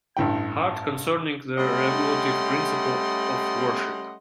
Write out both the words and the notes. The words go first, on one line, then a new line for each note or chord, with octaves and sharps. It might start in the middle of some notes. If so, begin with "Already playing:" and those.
Hart concerning the regulative principle of worship.
A1 G2 E4 G5
G3 A3 C#4 D#5 F#5 C6